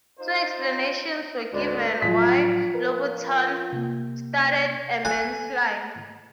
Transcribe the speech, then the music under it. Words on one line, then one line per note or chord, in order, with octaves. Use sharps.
Two explanations were given why Louboutin started a men's line.
D#4 F4 C5
D2 G#2 G#3 B4 D5
A2 F3 F#3 B6
A#4 B4
C3 A#3
A4 G#5 F#6